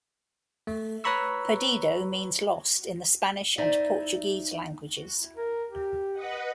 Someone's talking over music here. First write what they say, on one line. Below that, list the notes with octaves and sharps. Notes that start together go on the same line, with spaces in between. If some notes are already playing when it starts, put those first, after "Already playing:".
"Perdido" means "lost" in the Spanish and Portuguese languages.
A3
B4 C#5 A#5 B5 C#6 E6
D#4 C5 D5 E5
A#4
G4
B4 D#5 F#5